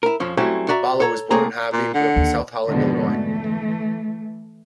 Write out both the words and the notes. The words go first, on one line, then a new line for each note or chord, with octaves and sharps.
Boller was born in Harvey, and grew up in South Holland, Illinois.
E4 A#4
F2 F3 C#4
F#3 G3 A3 C4 C#4 E4
F#4 D5 E5 A#5
A4 C#5 A#5
C2 A3 A#3 C4 G#4 A#5
A#2
D3 F#5
D#2
F2 G#2 B2 D3 D#3 F3
E3 A3